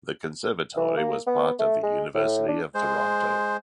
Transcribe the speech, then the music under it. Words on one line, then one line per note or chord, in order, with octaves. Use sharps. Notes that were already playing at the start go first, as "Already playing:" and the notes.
The Conservatory was part of the University of Toronto.
E3
A#3
B3
A3
G#3
A2
D4
G#3 C5